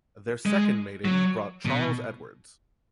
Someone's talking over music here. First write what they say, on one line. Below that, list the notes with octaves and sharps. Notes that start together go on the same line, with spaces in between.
Their second mating brought Charles Edwards.
G#3
F#3
B2